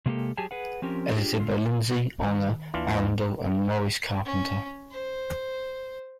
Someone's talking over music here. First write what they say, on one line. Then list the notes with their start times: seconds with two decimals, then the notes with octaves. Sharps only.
Edited by Lindsay, Honor Arundel and Maurice Carpenter.
0.06 C3 G#3 A#3 D#4 G4 A4
0.37 F#3 G4 G#4 G#5 A5
0.51 G#4 B4 F#5
0.82 F3 C4 C#4 G4 A#4
1.16 D4 F4 G4 G#4
1.40 A#2 D3 G#3 F4
2.18 D#3 C4
2.74 D#2 E3 D4 F4
4.25 C#4
4.91 C5